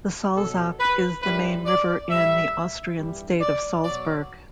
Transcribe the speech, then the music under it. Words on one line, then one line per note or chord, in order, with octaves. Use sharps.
The Salzach is the main river in the Austrian state of Salzburg.
B2 F#3 A4
B4
F#2 E3 G3 B4
D5
A2 G3 E5
G2 E3 G3
D5
B2 F#3 D5